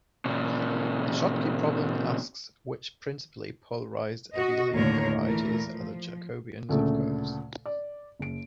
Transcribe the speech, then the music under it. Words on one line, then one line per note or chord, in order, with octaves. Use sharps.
The Schottky problem asks which principally polarized abelian varieties are the Jacobians of curves.
A#2 C#3
F#4 D#5
D#2 A2 D3 A#4 C#5
A#2 E3 A3 A#4
F3
D2 A#2 C#3 A3
D5
F#1 D7